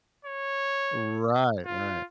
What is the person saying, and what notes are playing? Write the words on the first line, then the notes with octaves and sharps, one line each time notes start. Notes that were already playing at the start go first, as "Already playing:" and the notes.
Right, right.
C#5
F4